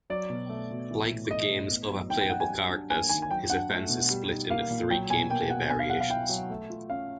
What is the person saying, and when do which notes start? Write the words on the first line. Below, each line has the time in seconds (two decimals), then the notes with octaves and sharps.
Like the game's other playable characters, his offense is split into three gameplay variations.
0.10 F#3 D5
0.30 B2
0.49 A3
0.71 B2
0.91 E3
1.10 A2
1.30 A3 D#5
1.50 A2
1.71 B3
1.90 F#3
2.10 D#4 G5
2.21 G5
2.30 F#3 F#5
2.40 G#5
2.50 G3
2.71 D4
2.90 A#3 G#5
3.09 D#3 G#5
3.22 G#5
3.30 F#3 G5
3.50 D4 F#5
3.69 A3
3.89 B2
4.10 G3
4.30 D#4
4.50 A#3 F5
4.70 A#2
4.90 F#3 G5
5.10 B2 G#5
5.30 A#3 G5
5.50 B2 F#5
5.70 B3 G#5
5.79 F5
5.89 F#3 F#5
6.00 F5
6.09 E4 G5
6.29 F#3
6.50 A3
6.70 F4
6.90 C#4 F5